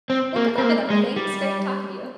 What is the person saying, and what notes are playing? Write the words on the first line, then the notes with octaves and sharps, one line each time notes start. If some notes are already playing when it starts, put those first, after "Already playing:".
well, good luck with everything. It's great talking to you.
C4
A#3
C4
A#3
G#3
G3